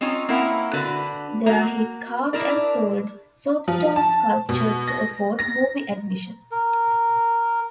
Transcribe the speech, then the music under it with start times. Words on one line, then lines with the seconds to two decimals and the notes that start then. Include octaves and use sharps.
There he carved and sold soapstone sculptures to afford movie admissions.
0.01 C4 C#4 D#4 F4
0.29 A#3 C4 C#4 E4 A#4 F#5
0.73 D3 F#4 B4
1.46 A#3 F#4
2.33 D4 E4 A#4 D5
3.68 F3
3.96 A5
4.49 B2
4.88 A#6
5.39 A#6
6.51 A#4